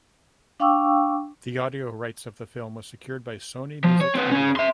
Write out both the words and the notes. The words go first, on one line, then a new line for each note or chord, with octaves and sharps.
The audio rights of the film was secured by Sony Music India.
D4 F5 G5 C#6 D6 E6
F3
C#5
C4 B4
C#4 G#4
E5 C6